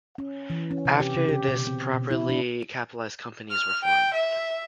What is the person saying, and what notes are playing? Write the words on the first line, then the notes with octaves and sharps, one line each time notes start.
After this properly capitalised companies were formed.
C#4
E3
C#4
C3
G4
C#3
G4
B2
C4
B2
E4
D4
F6
G5
E5